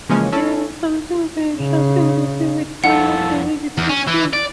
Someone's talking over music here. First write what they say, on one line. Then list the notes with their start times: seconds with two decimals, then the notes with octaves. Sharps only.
There is something delicious in the vivid green of the vegetation.
0.09 C#3 E3 F3 G#3 A#3 C#4
0.32 C#4 E4 A4
1.56 C#3
2.84 F2 E4 A4 F5 F#5
3.78 E2
3.89 C#4
4.08 E3
4.33 D5